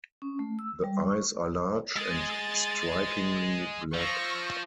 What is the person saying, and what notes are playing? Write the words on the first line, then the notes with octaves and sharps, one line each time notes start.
The eyes are large and strikingly black.
C#4
A3
E6
G3
C#6
G#3 G#4 A6
F3 C#6 E6 A#6